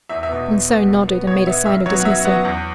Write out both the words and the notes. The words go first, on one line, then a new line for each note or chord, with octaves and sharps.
Monceux nodded, and made a sign of dismissal.
E2 E5
E5
B2 B3
E2
B2 B3
B2
B3
B2 C#5
B3 E5
F#2 E5
F#3 B3 C#5
F#5
F#2 E5
F#3 B3 F#5
E2